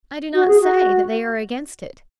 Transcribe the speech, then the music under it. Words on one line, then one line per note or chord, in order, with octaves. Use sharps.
I do not say that they are against it.
F#4
G#4
F#4